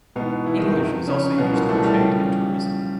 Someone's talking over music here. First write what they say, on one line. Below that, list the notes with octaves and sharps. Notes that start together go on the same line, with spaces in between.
English is also used for trade and tourism.
G#2 B2 E3 B3
E3 E4
D#3 D#4
D#3 D#4
F2 C3 F3
C#3 C#4
C2 B2 F#3 B3
A#2 A#3
A2 A3
G3
C#3 F3